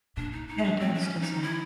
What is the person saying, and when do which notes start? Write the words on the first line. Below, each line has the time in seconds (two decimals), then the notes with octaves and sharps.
Yeah, it does, doesn't it?
0.17 A#2 D4
0.32 D#4
0.48 D#4
0.64 D4
0.79 C4
0.95 D4
1.01 C#4
1.21 D#4
1.43 E4